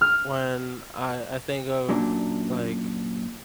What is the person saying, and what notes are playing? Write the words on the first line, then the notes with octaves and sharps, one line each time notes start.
When I I think of, like,
F6
F#2 A#2 D4